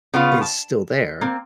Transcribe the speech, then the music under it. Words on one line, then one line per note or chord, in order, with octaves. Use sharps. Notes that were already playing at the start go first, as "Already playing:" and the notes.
is still there
C#3 B3 F4
A5
A#3 C4